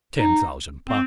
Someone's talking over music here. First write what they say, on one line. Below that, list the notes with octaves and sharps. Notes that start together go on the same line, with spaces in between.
Ten thousand pounds.
D#4
C4